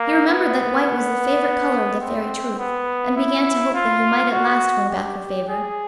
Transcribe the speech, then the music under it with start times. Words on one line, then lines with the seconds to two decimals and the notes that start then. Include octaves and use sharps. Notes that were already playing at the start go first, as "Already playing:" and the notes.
He remembered that white was the favorite color of the Fairy Truth, and began to hope that he might at last win back her favor.
Already playing: A#3
0.27 B3
2.01 C4
2.59 B3
3.16 E4
3.74 F4
4.32 F#4
4.90 G4
5.48 G#4